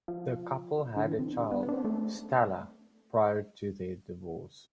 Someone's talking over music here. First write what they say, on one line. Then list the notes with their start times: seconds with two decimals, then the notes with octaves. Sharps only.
The couple had a child, Stella, prior to their divorce.
0.08 F3
0.96 D3
1.07 E3
1.19 C3
1.29 D3
1.40 G3
1.51 B3
1.63 B3
1.69 D4
1.73 C4
1.85 A3